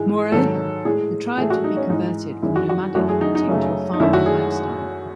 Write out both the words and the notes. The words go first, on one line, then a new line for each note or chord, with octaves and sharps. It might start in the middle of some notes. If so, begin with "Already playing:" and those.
Moreover, the tribes would be converted from nomadic hunting to a farming lifestyle.
Already playing: G#2 E3 G#3
G#2 D#3 F#3 A4
A2 G#3 G#4
A2 E3 A3 G#4
F#4
D#4
C#4
G#2 E3 G#3 D#4
F#2 D#3 G#3 E4
F#4
F#4
F#2 E3 A3 F#4
G#4
D#4
D#4
F#2 C#3 F#3 A3
D#4
F#2 D#3 F#3 A3 E4
F#4
G#4